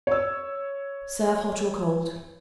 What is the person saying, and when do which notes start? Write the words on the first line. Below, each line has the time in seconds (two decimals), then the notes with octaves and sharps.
Serve hot or cold.
0.07 C#5 E6